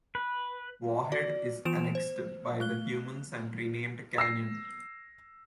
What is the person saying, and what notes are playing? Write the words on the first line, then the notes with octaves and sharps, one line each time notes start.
Warhead is annexed by the humans and renamed Canyon.
B4
F#4 D5
E3 B3 F4 D7 E7 F7
C5
A3 F#6 G7
E6 A#6 C7